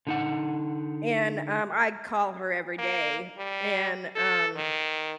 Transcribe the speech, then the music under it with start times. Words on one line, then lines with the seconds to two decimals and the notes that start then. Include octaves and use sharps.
And, um, I'd call her every day and, um,
0.07 D3 D#4 F#5
2.78 A#3
3.38 G3
4.16 A4
4.56 D#3